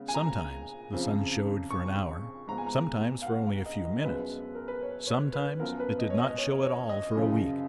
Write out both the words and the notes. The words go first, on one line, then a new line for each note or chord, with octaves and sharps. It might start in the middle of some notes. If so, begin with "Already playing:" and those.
Sometimes the sun showed for an hour, sometimes for only a few minutes, sometimes it did not show at all for a week.
Already playing: C#3 G#3 B3
G#5
A#5
F2 C#3 F3
C#6
G#2 F3 B3 A#5
G#5
A#5
F5
F#5
F5
D#5
D#5
F#2 F3 G#3 B3 B4
A#4
B4
C#5
C#5
B4
F#2 F3 B3 A#4
B4
D#5
C#5
D#5
C#5
C#5
D#5
F#2 C#3 F3